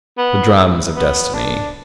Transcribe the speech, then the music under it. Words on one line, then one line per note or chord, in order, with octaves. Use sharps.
The drums of Destiny!
B3
B3
D4